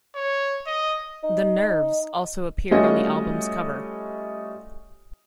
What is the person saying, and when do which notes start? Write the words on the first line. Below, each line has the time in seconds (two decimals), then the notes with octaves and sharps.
The Nerves also appeared on the album's cover.
0.15 C#5
0.67 D#5
1.24 D#4
2.71 G3 A3 C#4 F4 F#4 D#5